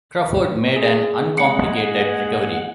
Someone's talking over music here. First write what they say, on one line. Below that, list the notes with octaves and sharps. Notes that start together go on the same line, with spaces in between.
Crawford made an uncomplicated recovery.
G#4
G#3 A#3 F#5